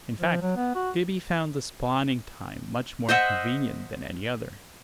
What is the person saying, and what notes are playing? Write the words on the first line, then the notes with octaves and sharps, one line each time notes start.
In fact, Gibbey found the spawning time much more convenient than any other.
F3
F#3
B3
F#4
C5 D#5 E5 F#5